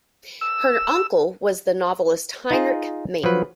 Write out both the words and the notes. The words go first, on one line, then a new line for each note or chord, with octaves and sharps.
Her uncle was the novelist Heinrich Mann.
E6
D#4 F4 G#4
F3 F#3 B4